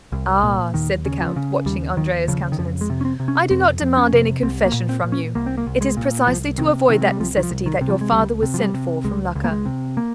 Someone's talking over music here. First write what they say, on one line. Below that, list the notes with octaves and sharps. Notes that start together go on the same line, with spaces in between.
Ah," said the count, watching Andrea's countenance, "I do not demand any confession from you; it is precisely to avoid that necessity that your father was sent for from Lucca.
C2
A#2
D#2 D#3
C#3
F3
C#3
D#2 G3
D#2 D#3
C#3 F3
D#3
F2 F3
G#3
C3
C#4
C4
C3
C#4
F2 C4
F2
C#4
C3
C2 C4
A#3
A#2
C4
A#2
C#4
C2 A#3
C4
A#3
C2
G#3
A#2
C2 F3
C3 D#3
C3 D#3
G#3
G3
C2 F3
D#3
F3
C2
D#3
C3
F3
G#3
C#2 G3
C3
F3
G3
C3
C#2 G#3
C#2
A#3
G#3
C3
A#3